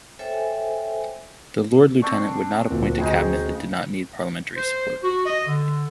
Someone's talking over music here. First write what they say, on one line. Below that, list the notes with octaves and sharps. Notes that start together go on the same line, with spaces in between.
The Lord Lieutenant would appoint a cabinet that did not need parliamentary support.
A4 C5 C#5 E5 G5 G#5
C4 D4 C#6
D2 A#2
D2 C#3 G#3 D#4 G5
C5
F#4
D#5
D3